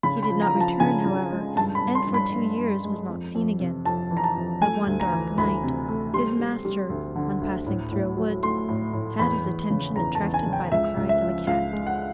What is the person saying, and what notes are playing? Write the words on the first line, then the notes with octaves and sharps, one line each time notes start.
He did not return, however, and for two years was not seen again; but one dark night, his master, on passing through a wood, had his attention attracted by the cries of a cat.
C#3 B5
B5
F3
A#5
F3
A5
C#3 G#5
C#3
G#3
G2 A5
B5
G2
C6
G2
B5
G2
G2
G#3
F2
F2
C3
F2 A5
E3
A#5
A5
F2
A3 G#5
D2
A#5
E3
D2 B5
C3
A3
G3 C6
G3
G3
D2
D3
D2
A2
A2
F#3
A3 C6
A2
A2
E2 B5
E2
C#3
E2 A#5
A5
E2
G#5
C#3
G5
C#2 E5
C#2
E5
F3
C#2 F5
G#3
F#5